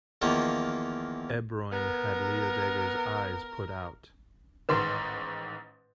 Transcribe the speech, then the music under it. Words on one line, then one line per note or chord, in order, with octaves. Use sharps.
Ebroin had Leodegar's eyes put out.
E2 D#3 F3 A#3
B3 A#4
A1 G#2 D#3 B4 F#5 C6